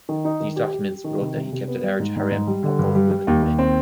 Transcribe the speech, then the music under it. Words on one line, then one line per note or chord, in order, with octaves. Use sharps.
These documenters wrote that he kept a large harem of both women and men.
D#3
D#4
D#3
G4
G4
G4
D#3
C3
C3
C3
B3
G3
G#2
G#2
G#2
G3
D3
G2
G3
G3
D#2
D#2
C4